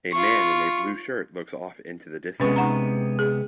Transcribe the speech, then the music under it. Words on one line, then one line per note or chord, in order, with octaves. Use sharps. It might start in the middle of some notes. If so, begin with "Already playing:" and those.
A man in a blue shirt looks off into the distance.
F4 C#6
C3 G#3 B3 C#4 B4 C#6
D#4 F#5 A#5
G#4